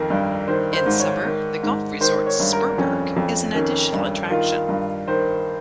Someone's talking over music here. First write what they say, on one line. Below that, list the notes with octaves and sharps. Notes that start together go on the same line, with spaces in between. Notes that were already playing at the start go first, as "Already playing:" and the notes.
In summer, the golf resort "Sperberegg" is an additional attraction.
Already playing: F2 D#3 A#4
G2
D#3 C5
C5
G#2
C#5
D#3
G#2
D#3 C5
C#5
G2
A#4
F2 C#4
F2
D#3 C#4
G2
D#3 F4
G2
D#3 C5